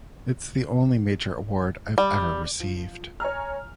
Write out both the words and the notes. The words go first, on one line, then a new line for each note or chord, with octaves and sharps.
It's the only major award I've ever received.
G3
F3
C#5 G#5 A#5 F6